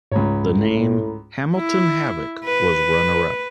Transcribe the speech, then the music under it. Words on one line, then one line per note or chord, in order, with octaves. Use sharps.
The name "Hamilton Havoc" was runner-up.
C#2 G#2 C#5 A#5 B5
A2
E4
B4